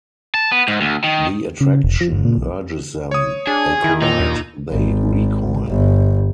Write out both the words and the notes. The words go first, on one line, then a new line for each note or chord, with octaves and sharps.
The attraction urges them. They collide, they recoil.
A5
B3
G#2
D2
D#3
C#3
F1
F3
G1
A#2
B1
C#5 D#6
D4 G#4
D#3 E4
A#2 D#4
D#2
G#1
G1